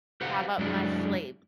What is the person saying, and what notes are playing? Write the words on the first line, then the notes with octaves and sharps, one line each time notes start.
have up my sleeve,
G4 B4 C5 F5 F#5
F#2 F#3 G#3 D4 E4